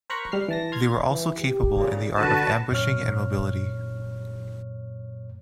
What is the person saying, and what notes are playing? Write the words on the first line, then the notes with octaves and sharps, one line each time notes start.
They were also capable in the art of ambushing and mobility.
A#4 C5 A#5 B5 C#6 F#6
G3 F6 C7
E3 A5 A#6
C6 F6 G#6
E3
G4
A#2 C#3
D3 F#4 B4 A5
F#2 A#2 C#5 F6